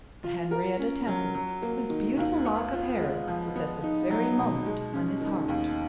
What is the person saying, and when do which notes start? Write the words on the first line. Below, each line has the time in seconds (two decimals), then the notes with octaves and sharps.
The Henrietta Temple whose beautiful lock of hair was at this very moment on his heart!
0.24 F4
0.51 A#4
0.79 C#4
1.07 F#3
1.34 F#3
1.62 A#3
1.90 D#3
2.17 D#2
2.45 B3
2.73 F4
3.00 G#3
3.28 F3
3.56 B3
3.83 D#4
4.10 F#3
4.38 B2
4.66 G#3
4.93 C#4
5.21 D#3
5.48 D#2